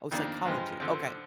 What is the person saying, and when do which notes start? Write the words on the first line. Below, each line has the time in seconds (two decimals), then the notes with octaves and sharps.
Oh, psychology. Okay,
0.11 F2 D#3 A#3 D4
0.45 G2 F3 G#3
0.80 D3 F3 C4